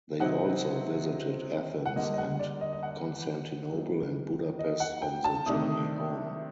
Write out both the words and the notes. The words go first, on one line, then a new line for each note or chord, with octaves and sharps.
They also visited Athens and Constantinople and Budapest on the journey home.
C3 F#3 C4 D#4 F#5
F#5
D3 G3 A#3 D#5
D#5
F#5
D5
D#5
D#5
F#5
F#3 A#3 D#4
D#5
F#5
G5
A5
C3 D#3 A3 D4 D#6